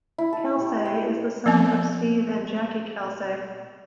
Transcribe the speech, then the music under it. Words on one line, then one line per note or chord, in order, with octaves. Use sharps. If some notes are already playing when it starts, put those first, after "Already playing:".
Kelsay is the son of Steve and Jackie Kelsay.
E4
A4
G4
G5
F3 B3 C4